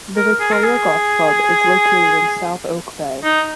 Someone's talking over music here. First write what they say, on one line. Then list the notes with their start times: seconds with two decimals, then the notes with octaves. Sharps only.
The Victoria Golf Club is located in South Oak Bay.
0.17 A#4
0.40 G#4
0.52 A#4
0.64 G#4
3.24 D#4